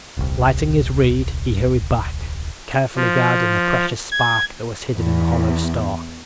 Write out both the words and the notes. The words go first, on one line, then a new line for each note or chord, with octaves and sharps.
Lighting his reed, he hurried back, carefully guarding the precious spark that was hidden in the hollow stalk.
D#1 C2
F3
G#6
E2